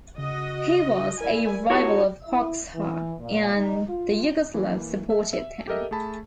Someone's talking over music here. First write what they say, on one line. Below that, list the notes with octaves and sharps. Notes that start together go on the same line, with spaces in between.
He was a rival of Hoxha, and the Yugoslavs supported him.
C#3 F#4 D#5
E4 A#4 D5 G#5
D#4 E4 F#4 G4 A4 C#5
E4
E3
A#2
D#4
F4
E3 A#3
E5
E5
G4 A4 A#4 D#5 E5
A3 G#4 A5 B5